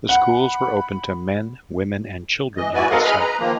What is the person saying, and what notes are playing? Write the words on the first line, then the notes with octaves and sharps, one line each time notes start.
The schools were open to men, women, and children in the South.
F#5 B5
E3 D#5
G#2 E4 F#4 B4 D5 G#5
C4 A4 A#4 D#5 F5 F#5
G#4 B4 D#5 B5 F6
B4 A#5
D#3 F3 A#3